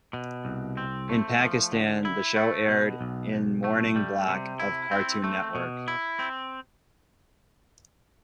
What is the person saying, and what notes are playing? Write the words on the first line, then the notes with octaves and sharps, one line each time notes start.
In Pakistan, the show aired in morning block of Cartoon Network.
B2
C2
C4
A3
F3
D3
E4
A3
B2
B1
B1
A3
G3
C3
E4
C4
A3
B2
E4
C4